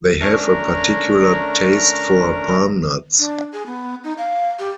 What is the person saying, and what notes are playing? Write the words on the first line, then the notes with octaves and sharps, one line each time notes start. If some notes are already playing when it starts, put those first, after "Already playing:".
They have a particular taste for palm nuts.
A3 C#4 D4 A#4 A#5
D4
G#4
B3
D#4
F5
G4